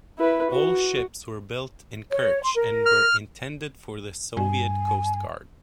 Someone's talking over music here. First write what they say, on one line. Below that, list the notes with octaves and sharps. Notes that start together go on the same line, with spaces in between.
All ships were built in Kerch and were intended for the Soviet Coast Guard.
E4 B4
F#4
C#5
C6
A#4
F6
G2 G#5